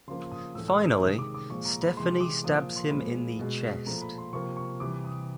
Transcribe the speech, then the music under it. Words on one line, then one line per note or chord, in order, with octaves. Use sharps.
Finally, Stephanie stabs him in the chest.
C#3 F3 A#3 C6
D#6
A2 E3 A3 E6
E6
D#6
C3 D#3 G#3 D#6
D6
D6
A#2 F3 G#3 C#6
A#5
B5
C3 E3 G#3 C6
D6
A#2 F3 A#3 D#6
C6
A#2 F3 G#3 B5
B2 G#3
A#2 F3 A3 A#5
B5
C6
C3 F3 A#3 C#6
C#6
C3 E3 G3 D6
D#6